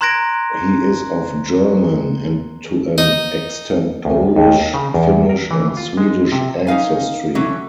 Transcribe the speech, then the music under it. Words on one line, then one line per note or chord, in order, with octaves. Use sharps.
He is of German, and to an extent Polish, Finnish, and Swedish ancestry.
A#5 C6 F#6 G#6 A#6 D7
D#4
D2
D#2
F5
C#3
E2
A#4
E3
F4
G#3
C3
C#4 D#4 F5 G#5
E3 F#3 A3 C#4